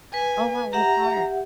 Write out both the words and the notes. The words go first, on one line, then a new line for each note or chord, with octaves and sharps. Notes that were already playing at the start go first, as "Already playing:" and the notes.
Oh wow, what part?
B4 G#5
G4 E5 F#5 A#5